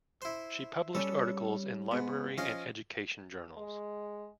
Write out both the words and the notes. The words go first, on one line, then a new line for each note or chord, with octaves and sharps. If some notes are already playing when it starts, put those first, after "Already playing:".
She published articles in library and education journals.
E4 C5
G3 C#4 A4
G#2 B3
F3 C#4 D#5 F5
G#3